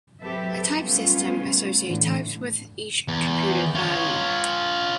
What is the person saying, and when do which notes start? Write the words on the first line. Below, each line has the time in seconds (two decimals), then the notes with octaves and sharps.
A type system associates types with each computed value.
0.21 F#3 C4 G4 A4 B4 E5
0.78 G3 A3 B3 C#4 F4
1.85 A2 D3 E3
3.08 E2
3.75 F4 C#5